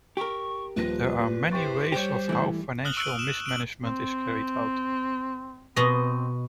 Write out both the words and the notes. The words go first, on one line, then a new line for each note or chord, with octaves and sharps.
There are many ways of how financial mismanagement is carried out.
G4 A#4 C#6
D#1 F3 B4 A#6
A#2
E4 G4 C5 G5 C#6 A6
G3 G4 C5 C#5
E3 A3 E4
D#6 F6 F#6 F#7 G7
C#6 E6 F#6 D7 D#7 F#7
E7
D7 F#7
C4
B2 C4 D#5